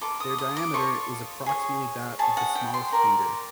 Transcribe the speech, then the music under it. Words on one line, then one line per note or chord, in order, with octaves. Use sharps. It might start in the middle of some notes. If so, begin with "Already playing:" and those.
Their diameter is approximately that of the smallest finger.
F4 A4 D6
D#6
D#6
D6
F4 A4 C#5 C#6
G#4 C#5
G#4 C#5 A5
F#5
G5
C6
G4 A#4 D5